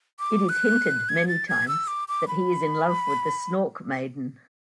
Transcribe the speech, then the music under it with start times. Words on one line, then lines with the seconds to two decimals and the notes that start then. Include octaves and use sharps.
It is hinted many times that he is in love with the Snork Maiden.
0.19 D6
0.49 F#6
1.09 G#6
1.28 A6
1.48 G#6
1.68 E6
1.87 D6
2.08 D6
2.28 B5